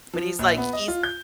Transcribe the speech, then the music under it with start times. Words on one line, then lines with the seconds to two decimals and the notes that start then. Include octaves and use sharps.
But he's like, he's
0.13 F3
0.39 A#1
0.57 B3
0.73 D#5
0.88 F4
1.03 G6